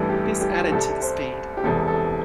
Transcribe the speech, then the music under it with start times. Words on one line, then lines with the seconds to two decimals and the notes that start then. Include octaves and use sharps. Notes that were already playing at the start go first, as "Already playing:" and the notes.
This added to the speed.
Already playing: A1 G2 E3 G3 A4
0.10 G4
0.41 G4
0.71 C2 C3 G3 A4
1.02 C5
1.57 G4
1.64 E1 E2 C3 A4
1.88 A4